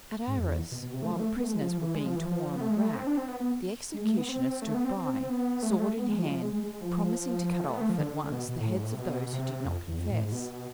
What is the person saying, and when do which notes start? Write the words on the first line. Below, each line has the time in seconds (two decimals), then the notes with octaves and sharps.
At Arras, while the prisoners were being torn on the rack, the executioner stood by, sword in hand, promising to cut off at once the heads of those who did not confess.
0.27 G#2
0.38 F2
0.49 E2
0.71 B2
0.82 B2
0.93 C3
1.03 A3
1.11 F3
1.20 A3
1.36 B3
1.44 A3
1.52 G#3
1.61 F3
1.78 E3
1.95 G#3
2.05 F3
2.16 E3
2.25 F3
2.56 B3
2.61 A3
2.70 G#3
2.78 A3
2.95 C4
3.07 D4
3.17 C4
3.28 B3
3.40 B3
3.94 G#3
4.05 A3
4.17 B3
4.29 C4
4.62 A3
4.74 B3
4.84 C4
4.96 C4
5.14 C4
5.30 B3
5.63 A3
5.71 G#3
5.80 A3
5.96 B3
6.08 G#3
6.19 F3
6.26 G#3
6.30 F3
6.42 G#3
6.52 G#3
6.63 G#3
6.81 F3
7.64 A3
7.73 B3
7.81 A3
7.89 F3
7.98 D3
8.32 B2
8.48 B2
8.60 A2
8.72 G#2
8.83 A2
8.93 C3
8.98 B2
9.32 C3
9.65 F2
9.87 E2
9.99 F2
10.10 A2
10.21 G#2
10.32 B2